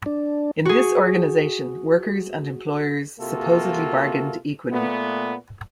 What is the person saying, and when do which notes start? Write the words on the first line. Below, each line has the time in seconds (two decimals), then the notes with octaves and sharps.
In this organisation, workers and employers supposedly bargained equally.
0.06 D4
0.65 F#4 G#4
3.19 C3 A#3 F4 F#4 A4
4.71 A#2 A3 B3